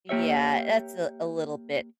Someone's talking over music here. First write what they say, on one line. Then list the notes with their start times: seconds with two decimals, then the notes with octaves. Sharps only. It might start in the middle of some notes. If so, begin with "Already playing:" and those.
Yeah, that's a a little bit,
0.09 A#3 G4 C#5 E5